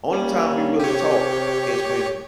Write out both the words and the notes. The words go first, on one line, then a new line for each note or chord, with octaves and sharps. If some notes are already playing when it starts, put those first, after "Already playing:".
only time we really talk is when
G3 A#3 C#4
C3 G4 C#5